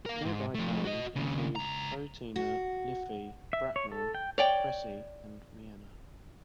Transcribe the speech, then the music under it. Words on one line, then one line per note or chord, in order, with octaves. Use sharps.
Nearby towns include Poatina, Liffey, Bracknell, Cressy and Miena.
A#4 F5
G#2
F3 A3
F#4 D#5
D#2 C#3
C#2 A#5
F#4
E5
C#5
A4
G5
C#5 D5 G5